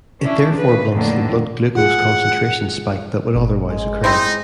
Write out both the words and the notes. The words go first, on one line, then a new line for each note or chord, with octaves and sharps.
It therefore blunts the blood glucose concentration spike that would otherwise occur.
C#4 D4 E4
C#3 B4
F2 A2 D3 D#3 A#3
F4 G#4 F#5
G#1
G#3
C4 D#4 E4 C5